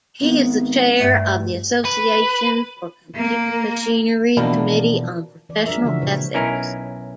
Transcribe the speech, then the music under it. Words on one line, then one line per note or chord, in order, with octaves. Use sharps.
He is the chair of the Association for Computing Machinery Committee on Professional Ethics.
G#1 B3
G2 A3
B4
A#3
B2 E3 F3 A#3 D4
E3 D5
F3 G#3 D4 G#4 A#4 E5
C#3 E3 F3 D4 F#4 E5
A#2 G#3 C5 C#5
B1 C#4 D#4 E4 A#4